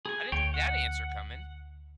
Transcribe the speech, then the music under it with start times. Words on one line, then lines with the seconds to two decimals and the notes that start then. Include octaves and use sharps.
I didn't see that answer coming.
0.06 G#4 G#5
0.32 D2 C#5 G5
0.54 F#5